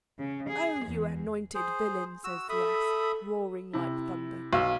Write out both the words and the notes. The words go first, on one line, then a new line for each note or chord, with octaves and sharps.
"Oh, you anointed villain!" says the ass, roaring like thunder.
C#3
G#4
E2
G#4 C5
F#4 E6
A4 E5 B5 D#6
C3 E4
B1 F5 E6